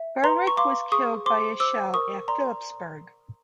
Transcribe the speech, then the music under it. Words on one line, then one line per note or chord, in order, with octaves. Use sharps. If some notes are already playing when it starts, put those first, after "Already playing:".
Berwick was killed by a shell at Philippsburg.
Already playing: E5
B4 A#5 C6
C#6
F5 C6 D6
G#4 C#6 D#6
C5 C6 D6
C5 D6 E6
A#4 C#6 D#6
D5 A#5 C6